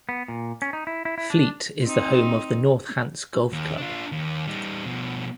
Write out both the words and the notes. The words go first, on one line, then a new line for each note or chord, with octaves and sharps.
Fleet is the home of the North Hants Golf Club.
B3
A#2
C#4
D#4
E4
E4
E4
D4
C4 D#4
D#2
D4 F4
D#2
G3 D#4
B2 F3